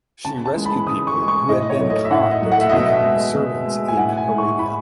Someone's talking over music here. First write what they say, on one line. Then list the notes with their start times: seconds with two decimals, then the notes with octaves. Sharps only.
She rescued people who had been conned to be come servants in Arabia.
0.25 C#3 A5
0.45 A5
0.56 E3 G#3
0.66 B5
0.87 C#3 D#6
1.07 C#6
1.18 E3 G#3
1.28 C#6
1.49 A2 D#5
1.70 C#5
1.80 F#3 A3
1.90 D#5
2.05 E5
2.11 A2 F#5
2.31 D#5
2.42 F#3 A3
2.52 F#5
2.61 E5
2.69 B2 D#5
2.78 E5
3.04 G#3
3.35 B2
3.66 G#3
3.88 G#5
3.97 A2 F#5
4.17 G#5
4.28 G#3
4.38 C#6
4.58 A2 B5